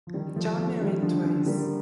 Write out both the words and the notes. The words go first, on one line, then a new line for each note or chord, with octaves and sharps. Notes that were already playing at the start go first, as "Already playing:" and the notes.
John married twice.
F3
D#3 G3
F3 A3
F3 A3
D#3 G3
D3 F3
D3
G3 A#3